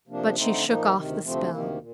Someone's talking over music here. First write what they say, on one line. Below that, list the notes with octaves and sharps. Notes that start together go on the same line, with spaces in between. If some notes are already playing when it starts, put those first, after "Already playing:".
But she shook off the spell.
C3 F3 A#3 D4
D3 A3 C4 D#4
A#2 F3 A#3 D#4
D2 C3 D#3
D2 C3 F3 A3 C4
D2 C3 D#3 A#3
A#2